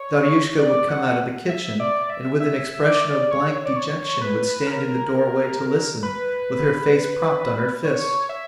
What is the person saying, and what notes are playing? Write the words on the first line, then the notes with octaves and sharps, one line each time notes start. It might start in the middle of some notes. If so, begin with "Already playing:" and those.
Daryushka would come out of the kitchen and with an expression of blank dejection would stand in the doorway to listen, with her face propped on her fist.
Already playing: C#5
D5
F#5
E5
D5
E5
E5
D5
C#5
D5
C#5
B4
A#4
B4
C#5
E5